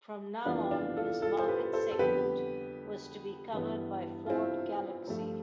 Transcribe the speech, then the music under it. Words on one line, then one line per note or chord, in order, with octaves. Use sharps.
From now on his market segment was to be covered by Ford Galaxy.
F2 E3 G3 B3 D4 F4
D4 F4
F4 A4
F4 A4
C5
G4 B4
A4 C5
A4
F2 D3 G3 B3 G4 B4
G2 E3 G3 B3
F4
C4 E4
G2 F3 A3